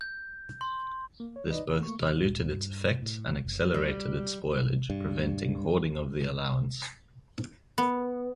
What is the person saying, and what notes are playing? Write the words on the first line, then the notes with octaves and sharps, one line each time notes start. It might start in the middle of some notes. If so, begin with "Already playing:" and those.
This both diluted its effects and accelerated its spoilage, preventing hoarding of the allowance.
G6
C6
A#3
C#5
D#4 B4 D5 D#5
C3
A3 A#3 C#6
D#1
G2
A2
F#1
G3
G2
B3